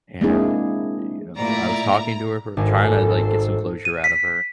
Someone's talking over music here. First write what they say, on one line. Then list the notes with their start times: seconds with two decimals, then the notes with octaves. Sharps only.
and, y you know, I was talking to her for tryna like, get some closure out of her,
0.21 G#3 A#3 C4 D4 E4 G#4
1.37 A#2 A3 E4 D5 A#5
2.57 G#1 A4 G#5
3.18 C4 C7
3.85 D#7
4.04 B6